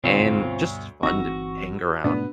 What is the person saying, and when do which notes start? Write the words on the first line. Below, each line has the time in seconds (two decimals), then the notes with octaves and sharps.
and just fun to hang around.
0.04 D2 G2 B2 C4 F4 C#5 C#7
1.03 G1 E3 C4 D#4 F#4 C#6 E6 A#6
2.04 G#2 B2 A3 B3 D4 B4